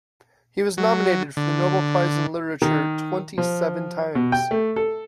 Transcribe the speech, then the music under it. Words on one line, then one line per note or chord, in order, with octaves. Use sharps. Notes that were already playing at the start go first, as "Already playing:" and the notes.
He was nominated for the Nobel Prize in Literature twenty-seven times.
F#3
D3
D#3
F3
B2
G5
A3
A4